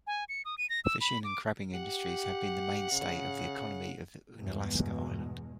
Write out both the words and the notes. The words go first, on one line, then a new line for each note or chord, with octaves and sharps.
Fishing and crabbing industries have been the mainstay of the economy of Unalaska island.
G#5
C#7
D#6
D#7
A#6
E6
B5
D6
G4 F#5
C#3
E2 G2 B2 G#3